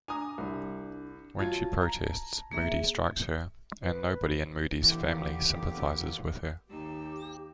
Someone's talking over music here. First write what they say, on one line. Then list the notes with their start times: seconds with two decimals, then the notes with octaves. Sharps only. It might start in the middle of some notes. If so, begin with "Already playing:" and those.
When she protests, Moody strikes her, and nobody in Moody's family sympathises with her.
0.08 D4 G#5 A#5 D#6
0.38 C2
1.39 F#3 F4 A5 G#6
1.82 A#5
2.52 A#3 G#4 E5
3.83 B4
4.82 D3 E3 A#3 B3 G4
6.68 D#2 D#4 G4 E6